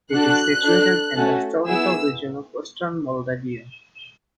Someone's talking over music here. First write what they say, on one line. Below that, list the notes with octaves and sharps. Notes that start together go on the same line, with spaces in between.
It is situated in the historical region of Western Moldavia.
D4 F#4 A4 F#6
D4 A4
A3 C#4 F#4 A4
B3 E4 G#4 E6